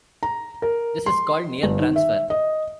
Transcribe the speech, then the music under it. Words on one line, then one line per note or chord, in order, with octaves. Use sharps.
This is called near transfer.
A#5
A#4
C6
G1
D#3
E5
D#5